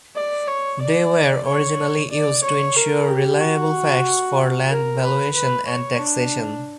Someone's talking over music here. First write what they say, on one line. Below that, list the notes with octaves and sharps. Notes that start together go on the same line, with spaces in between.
They were originally used to ensure reliable facts for land valuation and taxation.
D5
C#5
D5
C#5
D5
C#5
A#4
G4
F#4
A#4
B4
B4
C#5
D4